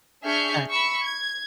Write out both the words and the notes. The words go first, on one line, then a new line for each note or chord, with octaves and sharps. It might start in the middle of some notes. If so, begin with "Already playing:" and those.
Got you.
D4 G#4 E5 C#6 F6 G6
B5 C#6 E6
G#6